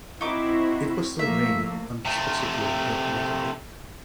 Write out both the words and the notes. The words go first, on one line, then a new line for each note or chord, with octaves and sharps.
It was still raining on this particular red-letter day.
C4 D#4 E4 F#4 D6
F3 A3 A#3 E5
C3 A3